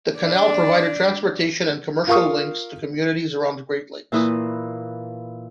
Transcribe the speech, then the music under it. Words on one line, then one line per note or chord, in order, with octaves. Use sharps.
The canal provided transportation and commercial links to communities around the Great Lakes.
D4 D5
F4 A#4 F5 C#6 D#6
A#2 E3 E4 B4 D#6